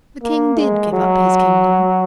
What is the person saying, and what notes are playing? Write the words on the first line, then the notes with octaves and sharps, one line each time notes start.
The King did give up his kingdom.
A#3
G#3
F#3